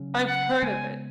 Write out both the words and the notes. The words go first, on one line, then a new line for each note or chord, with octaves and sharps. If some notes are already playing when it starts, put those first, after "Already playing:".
I've heard of it.
Already playing: C#3 F#3 C#4
F#5
C#3 G#3 B3 G#5